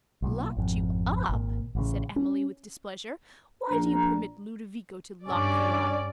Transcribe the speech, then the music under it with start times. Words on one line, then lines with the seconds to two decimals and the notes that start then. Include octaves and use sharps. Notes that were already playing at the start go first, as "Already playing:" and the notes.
'Locked you up!' said Emily, with displeasure, 'Why do you permit Ludovico to lock you up?'
0.22 B1 A#2
0.57 G#1 F2
1.29 G#1 A#2
1.75 A1 C#3
2.16 C#4
3.69 A#1 D4 A#5
5.28 G2 C#4 D5